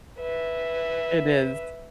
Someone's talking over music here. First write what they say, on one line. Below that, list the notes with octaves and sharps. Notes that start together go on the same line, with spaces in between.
It is.
B4 E5